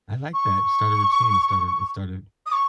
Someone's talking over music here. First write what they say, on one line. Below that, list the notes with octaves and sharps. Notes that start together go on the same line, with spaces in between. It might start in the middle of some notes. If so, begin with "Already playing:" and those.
I like that. Start a routine. It started it started
C#6
D#6
C#6